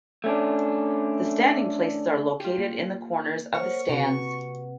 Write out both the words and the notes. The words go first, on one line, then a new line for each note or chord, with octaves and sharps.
The standing places are located in the corners of the stands.
A3 C#4 D4
F4 G4
A#3
A#4 C5 C#5 F#5 C#6
C3 F#4 B4 F#5 A#5